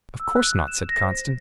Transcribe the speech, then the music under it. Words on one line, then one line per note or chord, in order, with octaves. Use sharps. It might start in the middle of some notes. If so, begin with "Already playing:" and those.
"Of course not," said Constance.
E6
F#6
E7
A#6
C5